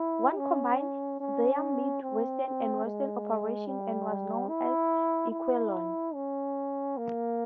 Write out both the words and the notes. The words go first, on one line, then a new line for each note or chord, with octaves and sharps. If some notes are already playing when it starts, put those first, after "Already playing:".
One combined their Midwestern and Western operations and was known as Equilon.
Already playing: E4
C#4
C#4
C4
G#3
G3
E4
E4
C#4
A#3